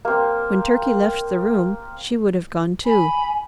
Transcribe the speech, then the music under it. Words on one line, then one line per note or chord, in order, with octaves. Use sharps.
When Turkey left the room, she would have gone too.
A#3 C4
G#5 B5